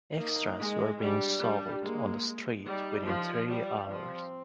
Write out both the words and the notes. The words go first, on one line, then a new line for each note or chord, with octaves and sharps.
Extras were being sold on the street within three hours.
A#3 D#4
G#3
G3 D4
G3 D4
G#3 A#3
G3 D#4
F3
G3
F3 C4